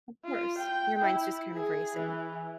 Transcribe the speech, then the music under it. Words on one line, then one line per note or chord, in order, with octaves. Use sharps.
Of course, your mind's just kind of racing.
F4
G5
E4
G#4
E3